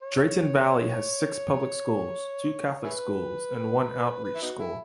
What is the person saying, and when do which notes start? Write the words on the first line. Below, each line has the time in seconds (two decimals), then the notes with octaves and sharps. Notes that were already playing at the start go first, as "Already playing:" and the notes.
Drayton Valley has six public schools, two Catholic schools, and one outreach school.
0.03 C#5
2.84 E4 G#4 B4
4.24 B4
4.35 E4
4.42 B3 D#4 F#4
4.59 E4